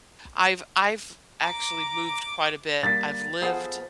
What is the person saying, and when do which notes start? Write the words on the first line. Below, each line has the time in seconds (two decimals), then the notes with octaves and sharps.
I've I've actually moved quite a bit. I've lived,
1.42 A#5 D6
2.83 G3 A#3 A6 B6
3.42 B3 F4 G#4 A4 C5 F#5